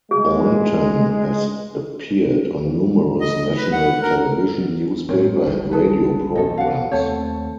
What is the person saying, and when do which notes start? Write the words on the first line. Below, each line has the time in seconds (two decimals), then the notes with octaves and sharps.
Boynton has appeared on numerous national television, newspaper and radio programs.
0.11 G#3 G#4
3.21 D#5
3.57 B4
3.72 F#5
4.02 A#4
5.09 A2 G#3 C4 A#4 C#5
5.46 G1 C#2 G2
5.71 G#4 A4 B4
6.36 B1 E2 A4 D#5
6.58 F5 F#5
6.92 D#2 A3 C4 A4 C5 C#5